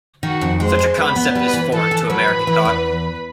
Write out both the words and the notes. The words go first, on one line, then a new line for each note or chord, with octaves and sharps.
Such a concept is foreign to American thought.
D#3 F#4 F#5
F2
G#3 C5 C6
G#3
E2 B4 B5
B3
G3 B4 B5
E3
E3 A4 A5
E3
F#3 B4 B5
A2
E3
E2